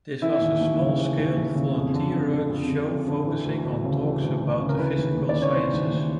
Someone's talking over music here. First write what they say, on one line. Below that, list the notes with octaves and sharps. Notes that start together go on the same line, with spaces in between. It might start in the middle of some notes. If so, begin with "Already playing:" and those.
This was a small scale, volunteer-run show focusing on talks about the physical sciences.
E3 E4
D#2
D#2
C#3
E3
D#2
D#2
C#3
F2
D3
F2
D3
F2
D3
F2
D3
E3
D2
D2
C#3
E3
D2
D2
C#3
A#4
E3 B4
D#2
D#2
D5
C#3
C#5
E3 C5
D#2
D#2